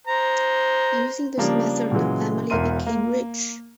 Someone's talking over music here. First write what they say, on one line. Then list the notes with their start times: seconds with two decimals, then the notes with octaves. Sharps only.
Using this method the family became rich.
0.07 C5 A#5
1.38 C#3 F3 G3 A#3 D4
1.92 A#2 C#3 E3 F#3 G#3
2.50 E1 E2 A#4 E5 C6 D#7
2.87 A#3